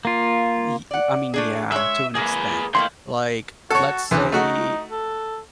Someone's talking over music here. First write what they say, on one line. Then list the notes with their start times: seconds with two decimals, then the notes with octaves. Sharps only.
y I mean, yeah, to an extent, like, let's say
0.05 A#3 F4
0.91 D5 F#5
1.34 A3 D4 G#4
1.72 G#3 C#5 E5
2.15 G#3 A#3 G#4 B4
2.75 E3 A3 A#3 F5 G5 C6
3.70 F#4 A4 C#5
4.11 D2 E3 D4
4.32 A3 D#4 F#4
4.91 A4